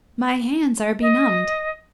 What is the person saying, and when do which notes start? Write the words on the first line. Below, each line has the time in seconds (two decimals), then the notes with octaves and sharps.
"My hands are benumbed."
1.02 D#5